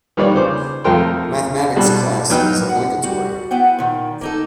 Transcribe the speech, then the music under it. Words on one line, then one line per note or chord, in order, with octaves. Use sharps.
Mathematics class is obligatory.
D#3 G3 A#3 B4 C#5 D5
C#3 C5 D6
F2 F3 A3 A#4 G5 C6
B2 G3 F#4 A4
F#3 B3 D#4 G5 F6
F#5
G3 F#4
B3 E4 F#5 G5
A#2 D#3
A#3 D#4 A4